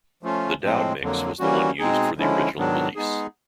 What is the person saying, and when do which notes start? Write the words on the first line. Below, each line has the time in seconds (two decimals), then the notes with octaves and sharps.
The Dowd mix was the one used for the original release.
0.23 F3 A3 C#4 F4
0.61 A2 F3 G#3 C4
1.01 F2 D3 F#3 A#3
1.39 E3 G3 A#3 C#4 F#4
1.79 B2 G#3 C4 D#4 G#4
2.17 D3 F3 G#3 C#4 E4
2.57 G#2 D#3 F#3 B3 D4
2.95 G#3 B3 D#4 G#4